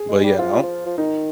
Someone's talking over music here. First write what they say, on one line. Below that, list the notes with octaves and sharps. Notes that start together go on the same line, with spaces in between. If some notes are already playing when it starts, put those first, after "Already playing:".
but yeah, I don't
Already playing: G#4
G#3
G3
F3 F4
G3
F3
F3
D#3 D#4